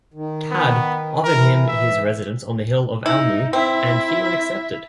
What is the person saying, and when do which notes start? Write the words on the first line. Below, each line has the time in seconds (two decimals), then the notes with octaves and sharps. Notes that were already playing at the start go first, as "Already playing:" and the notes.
Tadg offered him his residence on the hill of Almu, and Fionn accepted.
0.14 D#3
0.51 B3
1.24 E3 A#4
1.68 E5
3.06 D#4 E4
3.53 C4 E4 E5